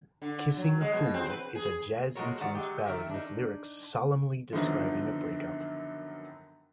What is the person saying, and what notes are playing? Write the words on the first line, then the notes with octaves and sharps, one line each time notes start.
"Kissing a Fool" is a jazz-influenced ballad with lyrics solemnly describing a breakup.
D3
F#3
G#3
B2
C4
B4
G#4
G#3 A3 F#4 A#4 C#5
D#3 D5 F#5
F#3 G#3 G4
D#3 A4 A#4 E5
D4 D#4
F#2 D3 D#3 F3 F#3 B3